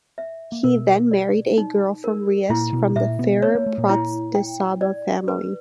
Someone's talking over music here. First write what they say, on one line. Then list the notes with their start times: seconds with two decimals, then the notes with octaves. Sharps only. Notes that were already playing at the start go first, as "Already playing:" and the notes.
He then married a girl from Reus from the Ferrer Pratdesaba family.
0.18 E5
0.52 A#3
0.64 B2 B3 A#4
1.11 D5
1.58 D#4
2.04 A#4
2.50 A#2 A#3 E4
2.73 B2 B3
2.95 A#2 A#3 E5
3.19 B2 B3
3.42 B3 C#5
3.55 A#3
3.66 A3
3.78 A#2 A#3
3.89 E4
4.35 G5
4.81 D5
5.28 B4